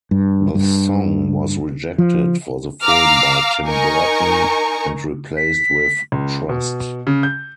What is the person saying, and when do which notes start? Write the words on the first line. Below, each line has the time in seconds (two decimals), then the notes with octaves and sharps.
The song was rejected for the film by Tim Burton and replaced with "Trust".
0.11 G2
0.55 G2
1.98 F3
2.82 F5 A#5 D6 E6 F6
3.65 D#4 A#4 G#5 A#5 C#6
5.37 B6
6.12 C#2
6.49 B2
7.07 C#3
7.23 G6